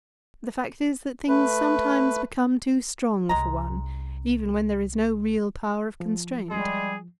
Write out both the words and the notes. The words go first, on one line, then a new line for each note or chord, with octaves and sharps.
The fact is that things sometimes become too strong for one, even when there is no real power of constraint.
A3 B4
C2 G#3 C#4 A#5
F3
G3 G#3 G#4